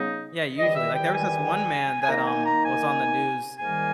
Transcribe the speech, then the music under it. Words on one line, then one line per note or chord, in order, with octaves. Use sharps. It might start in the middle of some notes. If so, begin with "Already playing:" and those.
Yeah, usually, like, there was this one man that, um, was on the news,
Already playing: C#3 G3 B3 D#4
E2 D#3 G3 D#5
E5
G5
G#5
G#5
D#3 A#3 D#4 A#5
G#5
A#5
G#5
G#2 D#3 G3 A#3 G#5